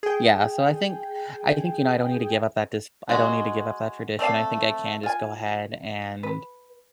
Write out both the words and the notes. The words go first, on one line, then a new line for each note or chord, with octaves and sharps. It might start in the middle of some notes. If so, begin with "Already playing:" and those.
Yeah, so I think I think, you know, I don't need to give up that dis I don't need to give up that tradition. I think I can just go ahead and,
G#4 G5
G#3 F#4
A3 C4 D5 F5
F4 G#5
B4